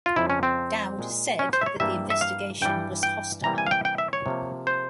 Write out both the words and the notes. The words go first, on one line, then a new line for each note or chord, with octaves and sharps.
Dowd said that the investigation was "hostile".
F4
F2 C#3 F3 E4
C#4
C4
A#2 G#3
C#4
C5
E5
C#5
G2 E3 G3 A#3 E5
E5
F5
G2 E3 G3 G5
G5
C3 E3 G3 A#3 A#5
G#5
F5
G5
G5
E5
C#5
C3 F3 A#3
C5